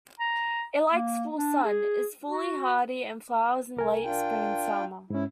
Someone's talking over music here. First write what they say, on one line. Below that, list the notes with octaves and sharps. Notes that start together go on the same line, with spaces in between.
It likes full sun, is fully hardy and flowers in late spring and summer.
A#5
A#3
D4
G#4
F#4
C2 A#4 G#5
D4 F4 G5
G#2 C#4 E4